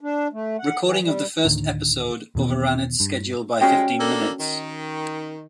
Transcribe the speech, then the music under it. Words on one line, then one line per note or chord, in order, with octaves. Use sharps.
Recording of the first episode overran its schedule by fifteen minutes.
D4
A3
F#5
E3
G3
D2 A2 D3 D#3
E2 B2 D#3 B3
G2
F3 G3 G#3 C#4 F#4 G5
A#3 D4 A4
D#3